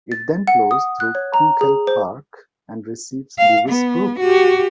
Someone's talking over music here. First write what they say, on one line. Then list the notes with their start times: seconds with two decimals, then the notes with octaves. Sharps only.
It then flows through Kunkel Park and receives Lewis Brook.
0.12 A6
0.47 F#5
0.71 D#6
1.00 F#6
1.15 C#5
1.34 A#5
1.61 G#4
1.87 C5
3.38 F5
3.69 B3
4.20 F#4 G4